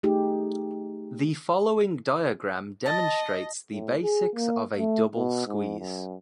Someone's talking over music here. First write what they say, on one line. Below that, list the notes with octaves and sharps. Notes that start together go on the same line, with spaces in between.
The following diagram demonstrates the basics of a double squeeze.
A3 D#4 G4 G#4
D#5 A5
A2
G#4
A#3
A3
B2
G#2
F#2